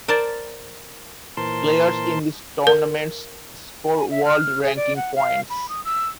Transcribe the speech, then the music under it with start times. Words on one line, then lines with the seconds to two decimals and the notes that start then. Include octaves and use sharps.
Players in these tournaments score world ranking points.
0.08 A#4 C5 D5 A5
1.37 A#2 E3 A#4 C5 A5 C6
2.67 A#4
3.97 G#5
4.11 E5
4.26 F6
4.62 G#4
4.76 D5
4.96 F#5
5.16 F5
5.50 B5
5.69 D#6
5.85 E6